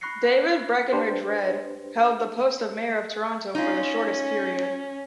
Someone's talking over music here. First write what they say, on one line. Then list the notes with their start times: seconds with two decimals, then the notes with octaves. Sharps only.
David Breakenridge Read held the post of mayor of Toronto for the shortest period.
0.01 B5 C#6 F#6 A#6 C7 C#7
0.93 D4 G4 B4 C5
3.55 C#4 D#4 F4